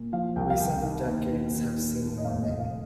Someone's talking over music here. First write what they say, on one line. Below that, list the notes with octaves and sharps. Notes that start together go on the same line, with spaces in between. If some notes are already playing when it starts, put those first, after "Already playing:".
Recent decades have seen warming.
Already playing: A#2
F3 F5
C2 G5
F5
C2 G5
D#3
D#2
D#3
D#2
D#3
D#2
D#5
F1 F5
D#5
F1
F5